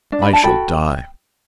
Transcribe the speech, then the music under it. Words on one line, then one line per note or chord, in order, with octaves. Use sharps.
I shall die!
D4
B5
A5
F#4 A4 G5 B5